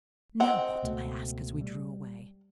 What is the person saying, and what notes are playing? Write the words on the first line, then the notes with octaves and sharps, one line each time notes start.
"Now what?" I asked, as we drew away.
C4 D#5 F#5
C#2 B2 A3
G3